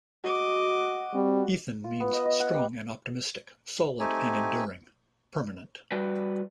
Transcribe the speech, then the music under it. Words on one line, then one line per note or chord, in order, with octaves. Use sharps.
Ethan means strong and optimistic, solid and enduring; permanent.
F#4 D#5 D6
G3 C4
F4
B3
D#5
D#5
F#5
G3
A3 C4 D#4 G4 G#5
G3 F#4 B4 D5 G5